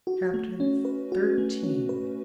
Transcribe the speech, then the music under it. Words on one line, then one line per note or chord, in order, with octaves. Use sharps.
Chapter XIII.
F#4
A3
C#4
B4
F#4
A3
C#4
B4